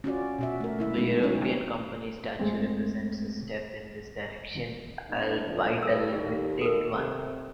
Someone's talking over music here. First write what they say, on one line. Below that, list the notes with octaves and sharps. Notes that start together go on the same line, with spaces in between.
The European Company Statute represents a step in this direction, albeit a limited one.
C#4 F4 F#4 D5
B2 F#4 E5
A3 A#4
A#3 E4 E5
F#3 G#3 B3 D#4
C4 C#4 D#4 C#5
G2 G#3 A3 C4
A3 B3 D4
E2 C#3 F3
G2 A4 E6
D#2 G4
A4 A#4
C3